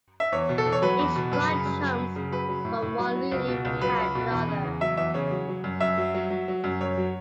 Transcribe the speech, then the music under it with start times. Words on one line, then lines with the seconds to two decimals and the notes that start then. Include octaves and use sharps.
Each frog jumps from one lily pad to the other.
0.20 E5
0.32 E2 C#5
0.49 B2
0.58 A4
0.66 E2
0.72 C#5
0.82 F#3 B4
0.99 E2
1.16 B2
1.32 F#2 B4
1.48 C#3
1.65 F#2
1.82 F#3
1.98 F#2
2.16 C#3
2.31 F#3 B4
2.49 F#3
2.65 A2
2.82 A2
2.98 F#3
3.15 F#3
3.32 C#2
3.48 B2
3.65 C#2
3.81 F#3 B4
3.98 C#2
4.15 B2
4.31 E2
4.48 C#3
4.64 E2
4.81 F#3 E5
4.97 E2 E5
5.14 C#3 C#5
5.31 F#3
5.48 F#3
5.64 F#2
5.80 F#2 E5
5.98 F#3
6.14 F#3
6.30 F#3
6.48 F#3
6.64 F#2
6.81 F#2 C#5
6.98 F#3